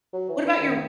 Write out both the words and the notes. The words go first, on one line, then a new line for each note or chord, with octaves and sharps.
What about your
F#3
E3
E3
D#3